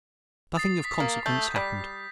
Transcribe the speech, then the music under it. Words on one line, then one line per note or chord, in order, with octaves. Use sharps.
Nothing of consequence hapened.
D#6 A6 C7
B6
A#3
A3 G6
G3 B6